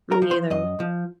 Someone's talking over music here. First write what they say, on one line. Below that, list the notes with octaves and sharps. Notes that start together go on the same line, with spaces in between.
Me either.
A#4
F3
C5
F#2 D#5
F3